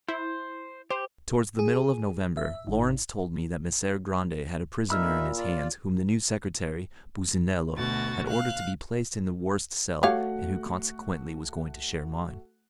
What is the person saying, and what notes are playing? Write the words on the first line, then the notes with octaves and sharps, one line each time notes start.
Towards the middle of November, Lawrence told me that Messer-Grande had a prisoner in his hands whom the new secretary, Businello, had ordered to be placed in the worst cell, and who consequently was going to share mine.
E4 C5
G4 C5
G#4
E5
G#1
A#2 D#4 E5 B5 E6 F6
F4 D5
D2 B2 F#4 A6
F5 F#6
A3 F#4 G4 C#5 F5 F#5